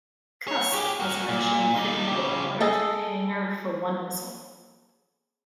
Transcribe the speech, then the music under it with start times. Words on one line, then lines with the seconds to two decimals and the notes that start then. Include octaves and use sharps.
"Cusk" was eventually fitted with a watertight hangar for one missile.
0.48 C#5
0.73 G4 G#4
1.00 F#4 A#4
1.29 A#2
1.76 D#4 D5
2.07 C#3 G4
2.61 G#4 A4 D#5 A5